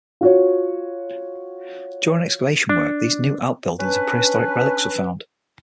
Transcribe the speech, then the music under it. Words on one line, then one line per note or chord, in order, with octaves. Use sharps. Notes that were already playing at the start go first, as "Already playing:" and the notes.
During excavation work for these new outbuildings prehistoric relicts were found.
F4 F#4 C#5
D4
C#4 D4 B4